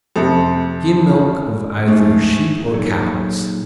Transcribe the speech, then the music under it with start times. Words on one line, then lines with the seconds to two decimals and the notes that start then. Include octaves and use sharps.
Skim milk of either sheep or cows.
0.16 F2 C3
1.88 G#2 A3
2.74 A#2 F#3 D#4 G#4 A4 C#5